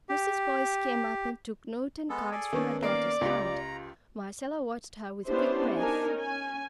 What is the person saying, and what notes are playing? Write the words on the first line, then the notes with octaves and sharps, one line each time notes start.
Mrs. Boyce came up and took note and cards from her daughter's hand. Marcella watched her with quick breath.
G4
G#3 B3 A4
G#4 A4 D5
D#3 B3 C#4 D#4
A#3 D5 F5 A#5 D6
C#2 F4 G4 A#5
B3 C#4 D4 E4 G4 C5
D4 D#4 A#4 G#5
C#4 G#5